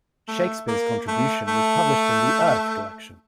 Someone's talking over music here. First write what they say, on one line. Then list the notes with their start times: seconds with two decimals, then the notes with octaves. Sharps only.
Shakespeare's contribution was published in the "Earth" collection.
0.28 A3
0.68 A#3
1.08 A3
1.47 A3